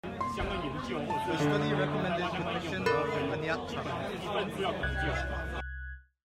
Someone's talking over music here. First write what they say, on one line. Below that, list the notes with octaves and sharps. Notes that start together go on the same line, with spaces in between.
The study recommended protection of Aniakchak.
C6
A5
D3
A4 A#4 B5 F#6 A6
C2 F#6 G#6